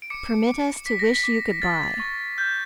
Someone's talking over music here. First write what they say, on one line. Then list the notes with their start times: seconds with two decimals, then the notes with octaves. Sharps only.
Permit us to wish you good-by.
0.02 D7
0.10 D6 C#7
0.48 D6
0.86 D6 B6
0.99 A#6
1.14 B6
1.24 D6
1.62 F6 A6
2.00 C#6
2.38 F6 G6